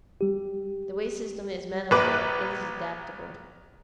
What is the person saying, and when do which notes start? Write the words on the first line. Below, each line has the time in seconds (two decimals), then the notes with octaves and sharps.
The wage system is manifold, it is adaptable.
0.21 G3 G4
1.91 A#1 B4 D6